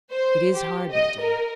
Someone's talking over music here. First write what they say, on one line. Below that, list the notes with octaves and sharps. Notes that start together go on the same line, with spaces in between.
"It is hard, my dear."
C5
G4
D#5
A#4